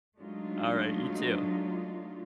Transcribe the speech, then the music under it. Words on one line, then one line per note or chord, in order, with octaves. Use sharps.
Alright, you too.
F#3 G#3 A3 D4 D#4 F4